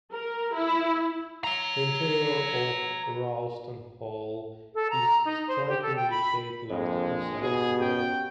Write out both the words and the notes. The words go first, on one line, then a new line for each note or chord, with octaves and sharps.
The interior of Ralston Hall is strikingly shaped like the inside of a boat.
A#4
E4
C#5 A#5
A4
A#5
D#4
C5
G4
A4
G5
B5
A#1 F2 G#3
B2 G4 G#4
C#4 G4 G5